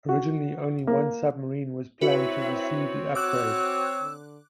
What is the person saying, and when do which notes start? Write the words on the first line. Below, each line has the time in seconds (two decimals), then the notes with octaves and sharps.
Originally only one submarine was planned to receive the upgrade.
0.09 F#4
0.87 A#3
2.01 C4 E4 F#4 B4 C#5 E5
3.15 F#4 D6 E6 F#6
4.02 D3